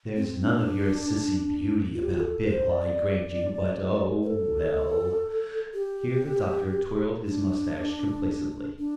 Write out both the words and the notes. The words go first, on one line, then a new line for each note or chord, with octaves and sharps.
"There's none of your sissy beauty about Bill, I grant you, but--oh, well"--here the Doctor twirled his mustache complacently.
C4
D4
F4
G4
F4
A4
C5
D5
C5
A4
G4
D4
D4